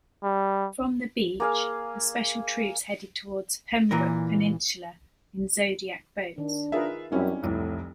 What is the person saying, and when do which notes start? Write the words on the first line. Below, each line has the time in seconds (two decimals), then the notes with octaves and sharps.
From the beach, the special troops headed towards Pembroke peninsula in Zodiac boats.
0.24 G3
1.40 A#3 G#4 F5
3.91 A#2 E3 A#4
6.38 D#3 D4
6.72 D#4 F4 G#4 A#4 B4 E5
7.12 F#2 E3 G3 C4 C#4 D#4 E4
7.43 F1 C2 A2 E3